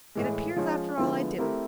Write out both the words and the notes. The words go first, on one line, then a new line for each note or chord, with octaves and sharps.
It appears after all I didn't.
A2 E3 G#3
F3 G#3 C#4
D3 F3 G#3 B3 E4
A3 C4 E4 G4 A#4